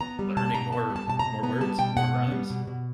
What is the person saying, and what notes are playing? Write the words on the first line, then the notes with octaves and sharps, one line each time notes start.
learning more more words, more rhymes.
B3 A#5
G3
B2 A5
B2 A#5
B3 A5
G3
A5
B2 A5
A#5
B2
B3 A#5
G3 A5
B2 G5
B2 F#5
B3
G3
B2
B2